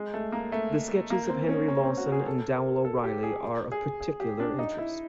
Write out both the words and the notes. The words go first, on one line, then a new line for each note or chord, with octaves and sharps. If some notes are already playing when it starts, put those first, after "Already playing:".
The sketches of Henry Lawson and Dowell O'Reilly are of particular interest.
Already playing: G#3
A3
A#3
A3
A#3
C4
C#4
C#4
C4
F#4
G#4
A4
A#4
A4
G4
G#4
G#4
G#4
G4
D4
D#4
E4